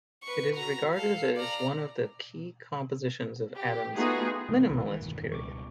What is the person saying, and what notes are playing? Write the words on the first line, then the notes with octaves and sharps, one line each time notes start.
It is regarded as one of the key compositions of Adams' "minimalist" period.
B4 C#6
F#4 A#5
A4 F5
D5 A#5
G4
A3 B3 D#4 F4 F#4 G#4
B2 D#3 G3 A3 A#3
C2 G#2
E3
E1 G2
C#2 B2 G3 C#6 D6